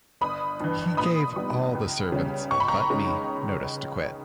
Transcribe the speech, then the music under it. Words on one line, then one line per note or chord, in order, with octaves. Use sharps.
He gave all the servants, but me, notice to quit.
G1 B5 D#6
G2 E3
A#2 B5 D#6
G3 B3 D#4
C#2
C#3 G3 C#4
C#2 C#6
B5
A#5 C#6
C#3 G#3 D#4